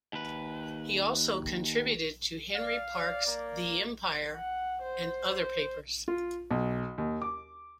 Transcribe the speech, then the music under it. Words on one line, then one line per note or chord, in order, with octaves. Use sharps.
He also contributed to Henry Parkes' "The Empire" and other papers.
D#2 B4
D5 F5
D5
A#3
F#5
C5
F4
B1
D#2
D6